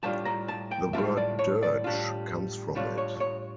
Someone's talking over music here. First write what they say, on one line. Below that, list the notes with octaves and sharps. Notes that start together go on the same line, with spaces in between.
The word dirge comes from it.
A2 G3 D4 F4 A5
A#5
A5
G5
A2 G3 D4 F4 E5
D5
C#5
D5
A2 G3 D4 F4
A2 G3 D4 F4 C#5
C#5
C#5